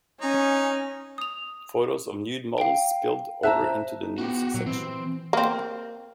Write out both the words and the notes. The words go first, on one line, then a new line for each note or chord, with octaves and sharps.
Photos of nude models spilled over into the news section.
C#4 D#4
D#6 F7
F5 G5
C5 E5 A5 A#5 F#6
D#4
B3 F#4 G4
A#2 F#3
E3 C4
A#3 C4